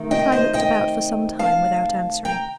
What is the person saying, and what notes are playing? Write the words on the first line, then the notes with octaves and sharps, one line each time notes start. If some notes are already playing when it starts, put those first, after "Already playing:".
Quickeye looked about for some time without answering.
Already playing: C3 D#3 A3
D#5 G5
C5 D#5
D#5 G5
F5 A5
G5 A#5